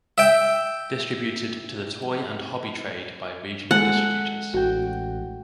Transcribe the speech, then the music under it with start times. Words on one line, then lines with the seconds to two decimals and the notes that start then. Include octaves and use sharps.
Distributed to the toy and hobby trade by regional distributors.
0.18 E5 G5
3.71 G#3 A4 F#5
4.54 A1 F#4 G5